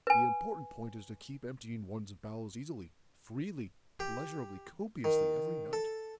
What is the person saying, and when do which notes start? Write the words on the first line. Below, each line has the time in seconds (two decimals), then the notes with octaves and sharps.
The important point is to keep emptying one's bowels easily, freely, pleasurably, copiously every night.
0.07 B4 G#5
4.00 G4
5.04 D#3
5.73 A4